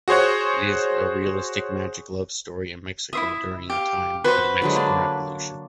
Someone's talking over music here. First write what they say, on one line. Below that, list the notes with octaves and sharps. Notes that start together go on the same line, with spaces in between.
It is a realistic magical love story in Mexico during the time of the Mexican Revolution.
F#4 G#4 C5 C#5 F#5
E4 C5 E5 D#6
G4 F5
F#4 B4 C5 G#5 C6
D3 F#3 G#3
A#3 D4